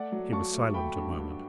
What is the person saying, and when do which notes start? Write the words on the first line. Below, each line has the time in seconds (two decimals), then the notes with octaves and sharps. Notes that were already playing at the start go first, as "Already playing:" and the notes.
He was silent a moment.
Already playing: A3 D5 F#5
0.12 F#3
0.32 F#3 A5 C#6
0.53 A3
0.74 A3 G5 B5
0.96 G2
1.16 G2